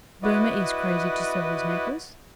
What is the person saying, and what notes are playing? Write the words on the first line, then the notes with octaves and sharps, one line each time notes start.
Boehmer is crazy to sell his necklace.
E4 F#4 B4 D5 D#5